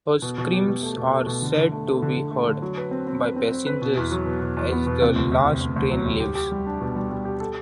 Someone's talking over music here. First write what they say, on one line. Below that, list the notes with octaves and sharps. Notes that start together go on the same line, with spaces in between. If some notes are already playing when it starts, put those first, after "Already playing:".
Her screams are said to be heard, by passengers, as the last train leaves.
B2
B2
G4
B2
A3
B2
A3
B2
D3
D3
A3
A3
D3
D3
A3
D3
F#3
B4
C4
C4
B4
C4
C4
B4
B2
E2
F#3
B2
B2
E2
B3
B2
C3
D2
D2
C3
D2
D2
F#3
D2
G4
G4
G3
D4
B2
G3
G3
G4
A4